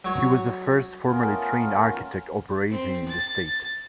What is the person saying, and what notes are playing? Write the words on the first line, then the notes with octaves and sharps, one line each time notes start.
He was the first formally trained architect operating in the state.
F#3 C#5
A3 B3 C#4 F4 A#4
C4
A6